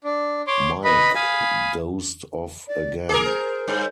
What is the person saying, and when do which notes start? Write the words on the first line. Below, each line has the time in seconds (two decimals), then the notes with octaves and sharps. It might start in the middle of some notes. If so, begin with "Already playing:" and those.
Mike dozed off again.
0.04 D4
0.47 C#5 C6 D6
0.84 B4 D#5 B5
1.15 F5 G#5 B5 D#6
2.68 D5
3.09 G#4 A#4 D6
3.25 C5
3.68 G2